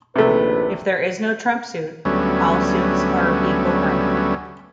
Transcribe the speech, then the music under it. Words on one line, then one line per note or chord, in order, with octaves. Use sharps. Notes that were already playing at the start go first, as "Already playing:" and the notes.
If there is no trump suit, all suits are of equal rank.
A#1 D#2 C3 A3 B4
D2 F#3 G3 A3 B3 C#4